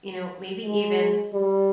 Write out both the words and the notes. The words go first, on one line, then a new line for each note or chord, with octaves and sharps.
you know, maybe even
G#3
G3